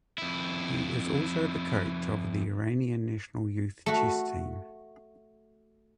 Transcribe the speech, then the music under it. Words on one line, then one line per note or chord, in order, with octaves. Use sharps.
He is also the coach of the Iranian national youth chess team.
F2 E4
A3 F#4